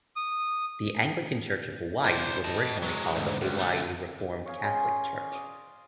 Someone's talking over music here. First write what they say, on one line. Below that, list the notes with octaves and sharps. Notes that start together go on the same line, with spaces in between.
The Anglican Church of Hawaii was originally called the Hawaii Reformed Catholic Church.
D#6
C5 D5
D#5 A5
F#3 G#3
D2 G#2
C#2
D3 A3
C#5 F5 G#5 D#6
C#4 G#4 C6 C#6
D5 D#5